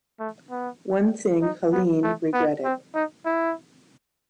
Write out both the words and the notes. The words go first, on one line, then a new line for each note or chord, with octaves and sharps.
One thing Helene regretted.
A3
B3
D#4
B3
A3
B3
C4
D#4
E4